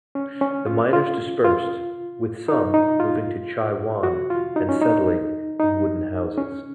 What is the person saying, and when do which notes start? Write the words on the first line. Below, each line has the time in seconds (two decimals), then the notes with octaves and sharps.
The miners dispersed, with some moving to Chai Wan and settling in wooden houses.
0.15 C#4
0.41 C#4
0.66 F4
0.93 F4
1.44 F4
2.48 D#4
2.74 D#4
3.00 F4
4.03 F#4
4.30 F4
4.56 D#4
4.69 C#4
4.82 D#4
5.60 D#4
6.37 C#4